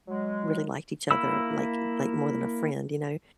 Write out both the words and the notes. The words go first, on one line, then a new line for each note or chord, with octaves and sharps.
really liked each other like like more than a friend, you know?
F#3 G#3
A#3 E4 B5 E6